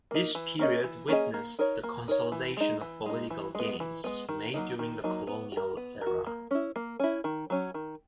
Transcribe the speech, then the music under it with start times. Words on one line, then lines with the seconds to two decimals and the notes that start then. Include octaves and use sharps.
This period witnessed the consolidation of political gains made during the colonial era.
0.11 A#3 D#4
0.35 E3
0.59 A#3 C#4 G#4 D#5
0.84 E3
1.08 A#3 C#4 G#4 D#5
1.34 A#3
1.59 D#4 A#4 C#5
1.83 A#3
2.08 D#4 A#4 C#5
2.32 E3
2.57 G#3 D#4
2.81 E3
3.06 G#3 D#4
3.30 E3
3.55 G#3 B3
3.80 E3
4.04 G#3 B3
4.29 D#3
4.54 F#3 A#3 D#4
4.79 D#3
5.04 F#3 A#3 D#4
5.27 B3
5.52 F#4
5.57 A#4
5.77 B3
6.01 A#4
6.06 F#4
6.27 A#3
6.51 C#4 E4
6.76 A#3
7.00 C#4 E4
7.24 D#3
7.50 F#3 C#4
7.74 D#3